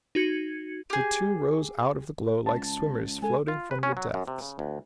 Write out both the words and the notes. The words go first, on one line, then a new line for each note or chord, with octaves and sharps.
The two rose out of the glow like swimmers floating from the depths.
D#4 F#4 G#6 C#7
G4 G#4
C#2 A5
G#3 A4 G#5
F4
B4
C#4
F#3
F#2
C3
C#3
D2